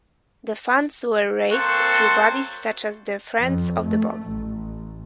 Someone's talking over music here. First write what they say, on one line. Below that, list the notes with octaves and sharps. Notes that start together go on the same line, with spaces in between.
The funds were raised through bodies such as the Friends of the Bog.
F#3 A#3 C4 F#4 A4 C5
F2
A3
A1